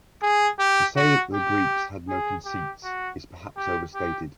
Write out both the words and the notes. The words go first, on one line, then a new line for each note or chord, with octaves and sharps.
To say that the Greeks had no conceits, is perhaps overstated.
G#4
G4
F#4
G4
G#4
G4
F#4
G4
G4